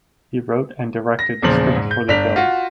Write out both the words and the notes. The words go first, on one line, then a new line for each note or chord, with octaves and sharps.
He wrote and directed the script for the film.
A#6
E2 A#2 C#3 F3 F#7
G#2
G6
G1 D4 B6 F7
F4 F#4